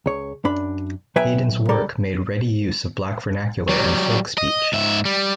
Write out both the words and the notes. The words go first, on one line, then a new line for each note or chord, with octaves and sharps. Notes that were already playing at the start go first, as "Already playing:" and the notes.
Hayden's work made ready use of black vernacular and folk speech.
C#2 C#5
F#2 D4 B5
B1 F#3 B4 E5 G5 G#5
C#3 G3 A4 A#4 D5
F#3 G3
D#5
G#2 E5
G3